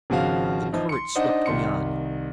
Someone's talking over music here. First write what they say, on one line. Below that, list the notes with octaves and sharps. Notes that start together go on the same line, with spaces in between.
The current swept me on.
G#1 C#3 F3 F#4 F5
E3 F3 D#4
C6 C#7
D4 D#4 C5 D#5 F#5
C2 D#3 C6 C#7